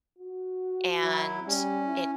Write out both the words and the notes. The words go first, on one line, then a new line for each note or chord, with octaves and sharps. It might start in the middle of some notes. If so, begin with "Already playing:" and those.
and it
F#4
F#3 E4
G3 C#4
E4